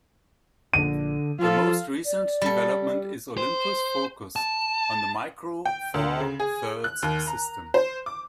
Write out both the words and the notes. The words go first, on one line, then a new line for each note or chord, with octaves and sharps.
The most recent development is Olympus' focus on the Micro Four Thirds system.
A#1 D3 D#7
F3 F4 A4 F5
D5
G3 A4
C5
A5
G5
D2
C#3
G#4
F#6
D#2
A#5
C5
D6